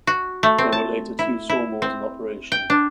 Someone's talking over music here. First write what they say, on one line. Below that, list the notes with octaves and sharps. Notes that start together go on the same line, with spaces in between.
There were later two saw mills in operation.
F#4
A3
C4
A5
E4
E4
C4
G5
D4